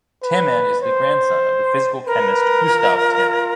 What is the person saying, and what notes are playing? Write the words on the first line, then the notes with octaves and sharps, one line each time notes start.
Tammann is the grandson of the physical chemist Gustav Tammann.
B4
C5
A#4 B4
F4